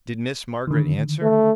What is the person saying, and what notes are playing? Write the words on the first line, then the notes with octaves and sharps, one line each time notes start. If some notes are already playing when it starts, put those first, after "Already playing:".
"Did Miss Margaret answer?"
D3 D#3
A3